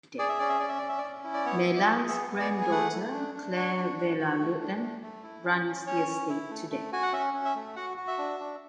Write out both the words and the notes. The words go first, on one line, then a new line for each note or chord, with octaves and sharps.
Merlaut's granddaughter, Claire Villars-Lurton, runs the estate today.
G#4 D5
E5
C#4 D5
E5
C#4 D5
E5
C#4 D5
E5
D5
C#4
E4
D5
B3 C#5
E4
D5
G#4
B3 E5
B3
D5
G#4
G#5
A3 F#5
A3
D4
D4
F#4
D4
F#4
F#4
A3
D4
A3
A3
E4
C#4
C#4
C#4 C#5
C#4
E4
A3
A3
F#4 G#5
F#5
C#4 E5
C#4
E5
A3
F#4 F#5
F#4
E5
D4
D4